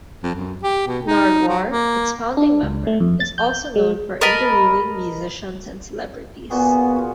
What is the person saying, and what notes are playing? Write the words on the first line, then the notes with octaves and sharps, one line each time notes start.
Nardwuar, its founding member, is also known for interviewing musicians and celebrities.
F2
F#2
G4
B2
D#4
F#3
A#3
D4
C#2
A3
F2
A6
G6
G#3
A#4 D#5 A5 B5
A#2 B3 F#4 G#4
F4 F#4